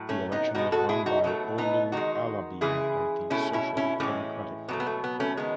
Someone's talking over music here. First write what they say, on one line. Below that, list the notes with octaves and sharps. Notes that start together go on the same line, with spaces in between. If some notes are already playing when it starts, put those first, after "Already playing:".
The election was won by Olu Alabi of the Social Democratic Party.
Already playing: A2 F#3
A3 C#4
B3 D#4
B2 G#3 D#4 F#4
F#4 A4
E4 G#4
D#4 F#4
B2 F#3 A3
B3 D#4
D#3 G#3 D#4 F#4
C#3 E3 G#3 E4 G#4
B2 A3 C#4 E4
C#4 E4
C#4 E4
A2 E3 G#3 A3 C#4
B2 F#3 A3 B3
B3
A3
B3
A3 C#4
D#3 G#3 B3